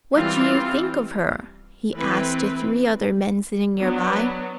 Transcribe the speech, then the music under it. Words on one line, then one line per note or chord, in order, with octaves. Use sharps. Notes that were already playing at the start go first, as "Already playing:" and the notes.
'What do you think of her?' he asked to three other men sitting nearby.
E3 G3 C4 F4
E3 A3 C4 B4
F#3 B3 D4
B4